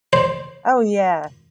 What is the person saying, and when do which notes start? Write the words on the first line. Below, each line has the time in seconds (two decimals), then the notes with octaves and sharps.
Oh, yeah.
0.13 C5